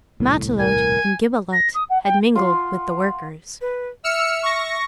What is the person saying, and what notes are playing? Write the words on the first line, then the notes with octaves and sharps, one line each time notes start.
Matelote and Gibelotte had mingled with the workers.
D#1 C2 A2
A#4 G#5
A#6
D#6
F#5
G5
F4 F#5 C6
B4
E5 E6 F6 C#7
C#6 A#6